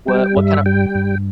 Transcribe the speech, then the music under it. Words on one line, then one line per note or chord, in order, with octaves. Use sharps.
What what kinda
G3 G5
G2 E5
G3 G5
G2